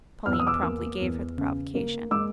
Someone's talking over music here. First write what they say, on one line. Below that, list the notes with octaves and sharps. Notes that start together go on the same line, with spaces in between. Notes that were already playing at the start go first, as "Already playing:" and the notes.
Pauline promptly gave her the provocation.
E2 F6
E6
D#6
D6 E6
A#3
E2
C#3
A#3
G#3 D6 E6